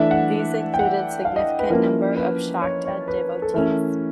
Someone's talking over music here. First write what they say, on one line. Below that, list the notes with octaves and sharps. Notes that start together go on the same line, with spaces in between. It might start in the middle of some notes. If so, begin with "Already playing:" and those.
These included significant number of Shakta devotees.
Already playing: E3 A3 D4 E5
F#5
G5
F#5
F5
D#5
B4
F3 A#3 C#4 E4 A#4
B4
C#5
C#5
B4
A4
E3 A3 C#4 A#4